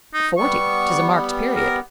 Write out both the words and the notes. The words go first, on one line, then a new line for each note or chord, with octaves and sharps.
Forty; 'tis a marked period.
D#4
G3 B3 C#6
A#4